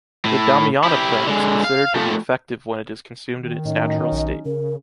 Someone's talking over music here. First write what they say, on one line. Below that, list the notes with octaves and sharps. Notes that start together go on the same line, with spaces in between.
The damiana plant is considered to be effective when it is consumed in its natural state.
A2
E4 G4
D3 G#3
F5
F3 A3
D#3
A2 F#3 C#4 D#4 D#5
A#1
C#3 A#4